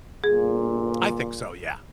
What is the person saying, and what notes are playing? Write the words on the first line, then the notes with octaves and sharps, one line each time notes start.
I think so, yeah.
G1 A#2 G#4